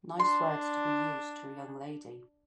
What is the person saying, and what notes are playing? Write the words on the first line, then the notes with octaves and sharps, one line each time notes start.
Nice words to be used to a young lady!
D4 C6